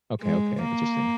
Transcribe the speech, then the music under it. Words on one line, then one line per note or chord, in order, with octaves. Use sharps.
Okay, okay, interesting.
G#3
A#3